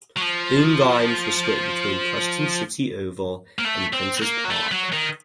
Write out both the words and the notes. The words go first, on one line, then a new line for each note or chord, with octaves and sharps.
Home games were split between Preston City Oval and Princes Park.
F#3
F3
A#3
A3
C4
A#3
F#3
A3
F#3
D#3